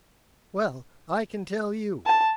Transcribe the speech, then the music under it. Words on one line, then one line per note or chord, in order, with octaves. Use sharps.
Well, I can tell you.
A5